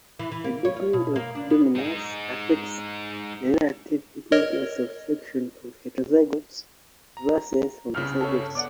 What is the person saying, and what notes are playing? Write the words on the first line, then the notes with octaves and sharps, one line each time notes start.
The degree of dominance affects the relative importance of selection on heterozygotes versus homozygotes.
E3
E3
A#3
C#5
F4
B2
A#3
D4
B3
G#3 D#4
A#4 C#5 D#5
A#5
C2 G2 C#3 F6
C#4 A4
B3 D5 F#5 D6